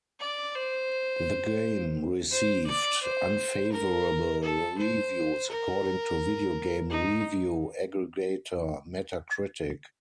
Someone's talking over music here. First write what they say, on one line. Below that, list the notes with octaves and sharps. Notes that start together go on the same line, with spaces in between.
The game received "unfavorable" reviews according to video game review aggregator Metacritic.
D5
C5
C5
D5
C5
A#4
A4
C5
A#4
D#4